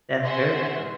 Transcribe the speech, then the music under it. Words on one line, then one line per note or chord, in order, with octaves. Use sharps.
That's very true.
E5 F#5 G#5 C6 C#6